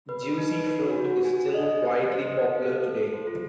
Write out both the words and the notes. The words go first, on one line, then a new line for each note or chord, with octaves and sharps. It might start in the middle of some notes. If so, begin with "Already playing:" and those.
Juicy Fruit is still widely popular today.
B4
B4
D#4
B4
B4
F#4
F#4
F#4
G#5
G#5
D#5
D#5
C5
C5
C5
D#5
C5
F5
A4
A4
A4
C5
F4